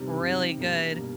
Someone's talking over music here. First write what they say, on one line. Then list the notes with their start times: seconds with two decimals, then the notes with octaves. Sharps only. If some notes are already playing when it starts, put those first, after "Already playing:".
really good.
Already playing: C3 D#3 G3
0.21 C3 D#3 G3
0.57 B2 G3 A#3 D4
0.93 B2 G3 A#3 D4